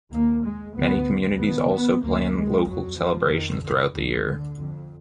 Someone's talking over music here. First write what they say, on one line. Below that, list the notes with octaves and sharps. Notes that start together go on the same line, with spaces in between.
Many communities also plan local celebrations throughout the year.
D#2 A#3
G#3
D2 B3
D#2 B3
B3
D2 A#3
G#3
F2 F#3
F3
F2 D#3
D3
D2 D3
F2